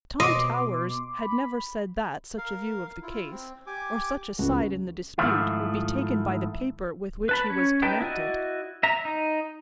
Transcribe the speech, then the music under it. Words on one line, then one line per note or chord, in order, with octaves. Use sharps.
Tom Towers had never said that such a view of the case, or such a side in the dispute, would be taken by the paper with which he was connected.
B2 D#5 C6 D6
B5
A#4 F5
E4 F4
C4
G4 G#5 D6
C#2 F#4
G#2 D#3 F3 A3 E4 F4
B4 A5 B5
C#4 C#5
D#4 G4 B4 G5 A5
E4 F#4 D5 D#5
E5 A#5
D#4